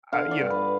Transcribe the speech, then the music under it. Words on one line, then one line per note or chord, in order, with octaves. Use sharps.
uh, you know,
D3 F5
D5
G2
B4